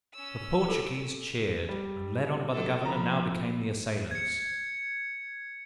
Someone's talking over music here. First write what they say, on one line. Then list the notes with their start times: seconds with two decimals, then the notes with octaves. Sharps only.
The Portuguese cheered, and led on by the governor, now became the assailants.
0.14 C#4 E6
0.68 A4 A#4
1.69 G3
2.51 F#3 A4
2.85 F3 A#5 B5
4.11 G#6 C#7